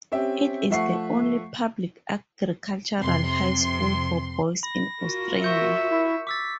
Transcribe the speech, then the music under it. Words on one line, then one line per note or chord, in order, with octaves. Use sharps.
It is the only public agricultural high school for boys in Australia.
C4 C#4 G4 E5 G5
F3 A3 E5 F#5 C#6 C7
F2 C3 C6
B5 A#6
F4 F#4 A#4
E5 C#6 G6 C#7
E4
D6 E6 A6 B6